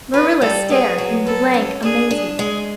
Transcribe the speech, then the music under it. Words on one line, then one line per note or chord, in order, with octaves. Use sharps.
Marilla stared in blank amazement.
F4 B4
G3 A4
B3 G#4
F#3
A4 B4
C#4
D4 G#4
D4
G#3 G#4